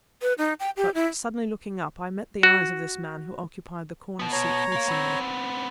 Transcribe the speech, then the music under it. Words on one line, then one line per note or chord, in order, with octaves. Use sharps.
But, suddenly looking up, I met the eyes of this man who occupied the corner seat facing me.
B4
D#4
G5
G4
E4
F#4
B2 B3
C#5 A#5
A#3 F5
B3 C4